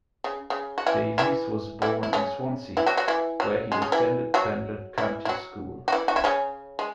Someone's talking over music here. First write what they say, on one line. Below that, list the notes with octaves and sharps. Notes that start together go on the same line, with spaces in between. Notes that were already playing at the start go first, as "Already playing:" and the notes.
Davies was born in Swansea, where he attended Penlan County School.
C#3
C#3
F#4
E3 E4
E3 E4
E3 E4
E4
C#3 C#4
E3 E4
F#3 F#4
F#3 F#4
E3 E4
F#3
G#3
C#3 C#4
E3 E4
F#3 F#4
E3 E4
E4
F#3 F#4
F#4
E3 E4
F#4
E4
C#3 C#4
G#3